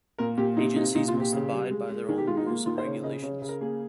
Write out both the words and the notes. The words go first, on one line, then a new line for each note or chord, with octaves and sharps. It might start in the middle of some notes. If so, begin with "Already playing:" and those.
Agencies must abide by their own rules and regulations.
A#2 A#4
A#2 G4
C3 D#4
C3 D#4
A#2 D#4
F4
A#2
G4
C#3
G3
G#3
G#3
D#3 G#4
G4
G#3 F4
D#4
A#3 F4
D#3 F4
C5
C#3 C#5
C#3 D#5
C#3 C#5
C#3
A#4
A#3 G#4